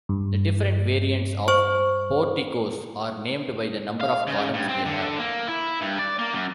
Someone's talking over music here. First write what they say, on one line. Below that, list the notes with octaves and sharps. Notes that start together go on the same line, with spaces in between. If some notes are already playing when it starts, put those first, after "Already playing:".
The different variants of porticos are named by the number of columns they have.
G2
C5 C#6
F5
C#3
G2
C4
D3
A#3
E4
G2
D5
A#3
F#2